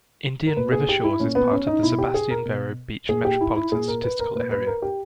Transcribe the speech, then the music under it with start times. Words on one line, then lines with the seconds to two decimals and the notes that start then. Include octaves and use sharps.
Indian River Shores is part of the Sebastian-Vero Beach Metropolitan Statistical Area.
0.47 A#4
0.57 A#2 B4
0.72 G#4
0.89 G4
1.04 E4
1.20 A#2 C#4
1.35 B3
1.51 C#4
1.67 D#4
1.83 B2 E4
1.98 G4
2.14 G#4
2.30 A#4
2.45 B2
3.09 A#2 G#4
3.25 G4
3.41 E4
3.56 E4
3.72 A#2 G#4
3.88 A#4
4.04 B4
4.19 A#4
4.35 A#2 B4
4.51 B4
4.66 A#4
4.82 G4